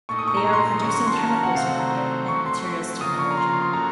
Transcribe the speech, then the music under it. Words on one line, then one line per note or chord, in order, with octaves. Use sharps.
They are producing chemicals market and materials technology.
A#2 A3 D#4 C#6
D#6
C#6
A#5
C#6
C6
A#5
C6
D#3 F#3 A#3 C#4 C#6
C#6
C6
A5
A#5
A5
F#5
C3 D#3 F#3 A3 C4 F5
F#5
A#5
F#3 A3 C4 C#6
C6
C#6
C#3 F3 A#3 F4 D#6
C#6
A#5
C6
C6
C6
F#3 A#3 C#4 A4 A#5